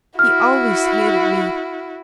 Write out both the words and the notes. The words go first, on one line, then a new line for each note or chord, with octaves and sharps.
He always hated me.
E4 F#4 F6